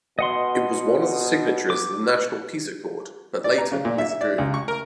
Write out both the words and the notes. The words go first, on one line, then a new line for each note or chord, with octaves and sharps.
It was one of the signatories of the National Peace Accord, but later withdrew.
B2 D#5 F#5 C6
D6
D5
A#5
C#3
A#2
E5
D5
C#2
C#6
A#4